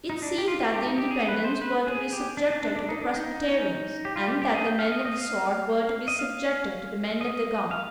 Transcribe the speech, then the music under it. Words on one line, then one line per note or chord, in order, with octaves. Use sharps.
It seemed that the Independents were to be subjected to the Presbyterians, and that the men of the sword were to be subjected to the men of the gown.
D#4
D4
G4
F4
F4
G4
D#4
G4
G#4
B4
C5
B4
G#4
G4
D4
D4
D4
D4
D#4
D4
D#4
G4
F4
G4
G4
G#4
G5
F5
D#5
D#5
F5
D#5
F5
D#5
F5